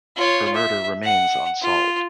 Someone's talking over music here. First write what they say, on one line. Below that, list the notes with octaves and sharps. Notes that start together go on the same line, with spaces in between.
Her murder remains unsolved.
F4 C#5
E5
F#5
F4